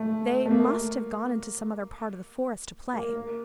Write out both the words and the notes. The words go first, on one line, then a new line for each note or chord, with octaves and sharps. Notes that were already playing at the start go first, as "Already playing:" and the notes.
They must have gone into some other part of the forest to play.
Already playing: A3
A3
A#3
A#3
A#3